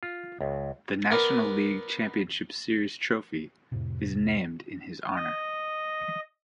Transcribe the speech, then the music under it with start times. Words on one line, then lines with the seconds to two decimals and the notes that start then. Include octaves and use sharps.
The National League Championship Series trophy is named in his honor.
0.03 F4
0.41 C#2
1.11 B3 A#4 D5
3.72 F2 A2 C3
5.16 D#5